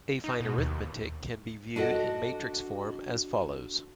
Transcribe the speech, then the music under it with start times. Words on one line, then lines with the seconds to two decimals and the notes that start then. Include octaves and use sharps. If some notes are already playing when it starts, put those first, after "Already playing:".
Affine arithmetic can be viewed in matrix form as follows.
0.24 D#4
0.41 B2
0.58 D#2
1.76 D4 F#4 A4 D#5 F#5